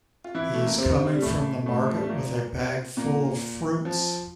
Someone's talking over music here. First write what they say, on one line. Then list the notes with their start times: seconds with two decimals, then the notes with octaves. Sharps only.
He is coming from the market with a bag full of fruits.
0.25 F4
0.35 E3 E4
0.54 A3
0.66 A#3
0.78 C3 C4
1.14 G3
1.22 A2 A3
1.66 A2 A3
1.89 F3
1.96 G3
2.02 A3
2.10 A#2 A#3
2.97 A#2 A#3
3.85 F3